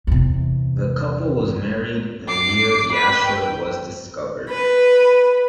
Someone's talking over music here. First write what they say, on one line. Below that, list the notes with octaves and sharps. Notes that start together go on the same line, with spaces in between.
The couple was married the year the asteroid was discovered.
E2 C3
D6 C7
B4 B6
G5
B4